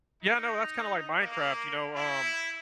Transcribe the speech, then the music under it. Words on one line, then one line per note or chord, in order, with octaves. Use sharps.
Yeah, no, that's kinda like Minecraft, you know, um
D#4
A#3
E4